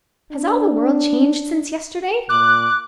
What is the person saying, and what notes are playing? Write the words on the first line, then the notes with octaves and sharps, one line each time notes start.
Has all the world changed since yesterday?
D4
A#2 D6 F#6